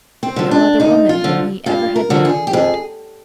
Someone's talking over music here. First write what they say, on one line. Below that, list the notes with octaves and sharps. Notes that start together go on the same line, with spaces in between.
No other woman whom he ever had known would.
C4
D3 F3
D4
D2 D#4
F4
D3 F3
G2 F4
A#4
D3 F3
G#4
G4
F2 G#4